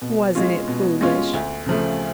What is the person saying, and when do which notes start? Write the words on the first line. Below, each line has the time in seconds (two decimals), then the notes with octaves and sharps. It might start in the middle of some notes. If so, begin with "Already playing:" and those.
Wasn't it foolish?
0.02 B2
0.35 G#3 C#4 F4
0.67 B2
1.01 G#3 C#4 F4
1.33 D2
1.66 C#3 F3 A3